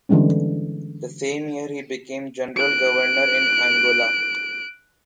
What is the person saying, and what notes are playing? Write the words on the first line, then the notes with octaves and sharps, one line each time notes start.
That same year, he became General Governor in Angola.
D3 E3 G3 G#3 C#4
F#6 D7